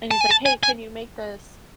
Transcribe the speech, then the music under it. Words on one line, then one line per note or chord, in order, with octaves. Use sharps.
and he's like, "Hey, can you make this,"
A5
G#5
A5
G#5
G#5